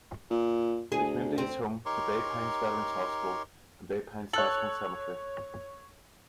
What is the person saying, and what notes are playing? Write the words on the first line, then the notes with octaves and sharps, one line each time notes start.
The community is home to Bay Pines Veterans Hospital and Bay Pines National Cemetery.
A#2
D2 G#4
C4
D#4 G4 A#4 C#5 C6 C#6
A4 C#5 F#6 F#7